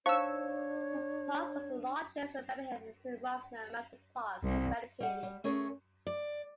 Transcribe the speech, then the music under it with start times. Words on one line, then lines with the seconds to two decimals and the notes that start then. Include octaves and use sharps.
The park was the largest in Birmingham until Ruffner Mountain Park was dedicated.
0.06 D4 D#4 C5 C#5 F5 C#6 E6
4.44 C2
5.00 G3 F#5
5.23 G3
5.44 A3 C#4 G#4 A#4
6.07 D5